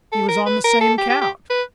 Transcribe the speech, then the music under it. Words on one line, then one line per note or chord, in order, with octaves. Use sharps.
He was on the same couch.
A4
A#4
B4
A#4
A4
G4
G4
G4
B4